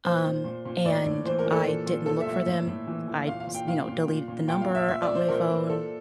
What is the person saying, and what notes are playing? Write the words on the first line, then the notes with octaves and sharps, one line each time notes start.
um, and I didn't look for them, I s you know, deleted the number out my phone;
A#2 C5
A#2
A#2
A#2
A2 D5
A2
E3 C5
A#4
E3
A4
A#2
A#2
A#2 A4
E5
A#2
E5
A2
A2
E3
E3
A#2 F5
F5
A#2
G5
A#2 F5
A#2
A#2
A#2
A#2 G5
F5
A#2
E5
A#2 E5
D5
A#2
C5
A#2 A#4
A#2
A#2 A4